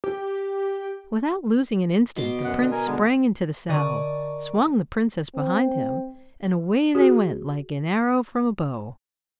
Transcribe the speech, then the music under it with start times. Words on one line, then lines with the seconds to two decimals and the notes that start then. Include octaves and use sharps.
Without losing an instant the prince sprang into the saddle, swung the princess behind him, and away they went like an arrow from a bow.
0.04 G4
2.16 B2 C6 D6
2.44 F#2 F#5
2.56 D3
2.72 A#4 G#5
2.87 D3 G#3 B3
3.69 D3 A#4 D5 D#5 C#6
5.35 C4
6.95 F#4 G#4